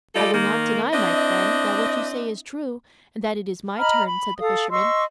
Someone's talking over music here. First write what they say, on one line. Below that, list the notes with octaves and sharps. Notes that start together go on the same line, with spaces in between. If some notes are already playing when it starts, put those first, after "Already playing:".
"I will not deny, my friend, that what you say is true, and that it is my turn," said the Fisherman.
G3 F4 A4 D5 D#5
D#3 A#3
C4 D4 E4 D#5
D#5 A#5 B5 F6
B5
A4 F5 D#6
D#5 C6 C#6 E6